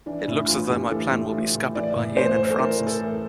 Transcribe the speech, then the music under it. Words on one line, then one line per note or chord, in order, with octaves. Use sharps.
It looks as though my plan will be scuppered by Ian and Francis.
E3 D4
A2 E4
E3 F4
A2 G4
E3 A4
A2
E3
A2
E3 D5
A2
E3 C5
A2
A4
E3 A#4
A2
A4
E3